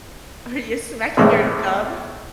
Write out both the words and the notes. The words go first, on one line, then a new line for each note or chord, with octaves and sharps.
or you're smacking your gum,
B1 E2 A2 G#3 C4